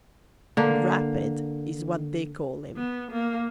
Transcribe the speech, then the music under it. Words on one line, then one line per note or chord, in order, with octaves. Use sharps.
"Rapid" is what they call him.
D3 A#3
B3
A#3